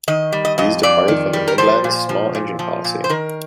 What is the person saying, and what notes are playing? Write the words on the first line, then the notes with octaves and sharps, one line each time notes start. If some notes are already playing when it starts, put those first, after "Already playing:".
These departed from the Midland's small engine policy.
D#3 D#5
G3
D#5
F2 D#5
F2 D5
D#3
G3
A#4
F3 C5
A#2
F3
A#2
F3
A#2
C5
D#3 A#4